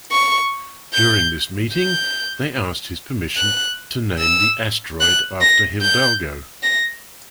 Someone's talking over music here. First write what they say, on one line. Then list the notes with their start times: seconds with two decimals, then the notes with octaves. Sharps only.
During this meeting, they asked his permission to name the asteroid after Hidalgo.
0.11 C#6
0.93 G6
1.75 G6
3.37 F#6
4.19 E6
5.00 F#6
5.41 A#6
5.81 G6
6.63 A#6